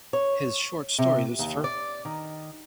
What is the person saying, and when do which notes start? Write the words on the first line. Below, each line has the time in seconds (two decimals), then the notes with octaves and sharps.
His short story Lucifer!
0.13 C#5
0.98 C3
1.39 D#2
1.64 D5
2.05 D#3